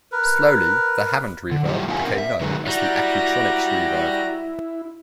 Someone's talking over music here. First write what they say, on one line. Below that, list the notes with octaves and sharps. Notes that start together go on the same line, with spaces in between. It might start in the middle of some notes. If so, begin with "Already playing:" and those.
Slowly the "Hammond Reverb" became known as the "Accutronics Reverb".
A#4 B4
D3
F#3 G3 E4 F4 G4
B3 D#4 F4 A#4 E5 G#5
C4 A#4
E5
D3 F#3 G#3 A#3 D#4 B4
G3 E4 F#4 A#5